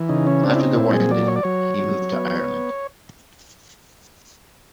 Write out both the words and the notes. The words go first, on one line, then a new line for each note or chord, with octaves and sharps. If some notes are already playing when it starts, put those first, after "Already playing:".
After the war ended, he moved to Ireland.
Already playing: E3
C#3 D#4
C#4
C4 D4
E4
D#4
A#2 E4
G#4
F#3 D5
C#5
D5
F#3 C#5
F#3
B3